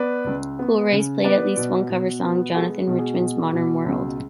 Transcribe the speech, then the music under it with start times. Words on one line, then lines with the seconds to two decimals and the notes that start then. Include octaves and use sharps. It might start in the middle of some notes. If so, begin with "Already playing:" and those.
Cool Rays played at least one cover song: Jonathan Richman's "Modern World".
Already playing: B3 B4 D5
0.26 C#2
0.59 B3
0.92 C#3
1.24 B3 B4 D5
1.57 B2
1.90 B2
2.22 B3
2.55 G#3 F#4 A4
2.87 B2
2.98 G#4
3.20 B2
3.53 B2
3.86 C#2